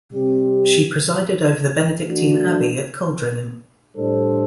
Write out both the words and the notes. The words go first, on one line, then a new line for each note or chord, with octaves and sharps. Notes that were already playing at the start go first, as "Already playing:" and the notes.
She presided over the Benedictine Abbey at Coldingham.
C3 G3 C4 G4
E3 A3 D4 F#4
A2 G3 D4 A4 C5